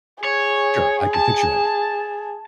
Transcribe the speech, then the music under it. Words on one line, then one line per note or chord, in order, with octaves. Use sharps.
Sure, I can picture it.
G#4 C#5
A5